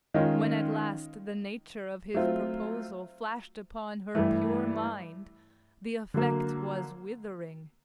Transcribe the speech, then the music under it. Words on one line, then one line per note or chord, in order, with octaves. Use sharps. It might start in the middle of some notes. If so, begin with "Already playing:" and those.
When at last the nature of his proposal flashed upon her pure mind, the effect was withering.
D#3 G#3 C#4 F4
F#3 A3 C4 F4
G2 E3 A3
D3 F#3 A#3